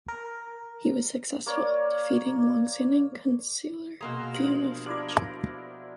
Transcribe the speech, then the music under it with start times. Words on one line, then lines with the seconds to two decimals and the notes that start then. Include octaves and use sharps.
He was successful, defeating long-standing councillor Fiona Faucher.
0.08 A#4
1.46 A#3 C#5 D5
4.01 B2 A#3 F#4 G#4 A#5 C6 E6
4.35 F3 D4 G4
4.86 D4 E4 G4 A#4